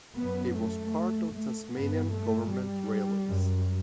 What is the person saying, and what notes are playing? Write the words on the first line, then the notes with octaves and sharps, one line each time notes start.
It was part of Tasmanian Government Railways.
F#2 B3
A3
A3
G2 B3
A3
G3
F#2